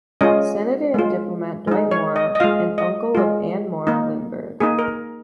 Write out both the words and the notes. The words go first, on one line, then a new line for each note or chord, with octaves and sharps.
Senator and Diplomat Dwight Morrow and uncle of Anne Morrow Lindbergh.
G#3 C#4 F4 D#5
G#3 F4
G#3 D#4
C#5
D#5
D#5
G#3 F4 F5
D#5
G#3 F4
A#3 D#4
A#3 D#4 G#4
A#4